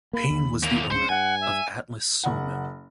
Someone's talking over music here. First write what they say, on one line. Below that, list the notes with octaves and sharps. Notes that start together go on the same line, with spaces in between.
Payne was the owner of Atlas sawmill.
A#3 B5
D#2
E2 A#3 F7
C#2 C#3 C5 C#7
G2 F#5 G#5
E5
F#1 F#5